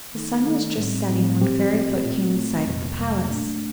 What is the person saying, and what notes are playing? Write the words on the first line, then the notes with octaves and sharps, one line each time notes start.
The sun was just setting when Fairyfoot came in sight of the palace.
D#3 A3 D#4 A4
D#3 A3 D#4 A4
A2 G3 C4
A2 G3 C4
A#2 F3 C4 G4
A#2 F3 C4 G4
A#2 A3 C4 F4
A#2 A3 C4 F4
F2 C3 G3 A#3
F2 C3 G3 A#3
A#2 A3 D4